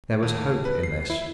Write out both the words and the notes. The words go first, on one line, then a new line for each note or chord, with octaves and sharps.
There was hope in this.
D#2
B4
C7
E4